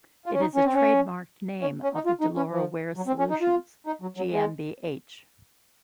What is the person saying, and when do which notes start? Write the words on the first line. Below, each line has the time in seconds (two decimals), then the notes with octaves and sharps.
It is a trademarked name of the Deloro Wear Solutions GmbH.
0.26 F4
0.34 C#4
0.40 D#4
0.55 C#4
0.65 C4
0.74 C#4
1.61 C#4
1.83 C#4
1.95 D#4
2.06 F4
2.21 D#4
2.36 C#4
2.51 F3
2.96 F#3
3.07 C4
3.19 C#4
3.30 D#4
3.42 F4
3.87 D#4
4.02 F#3
4.17 F#3
4.32 G#3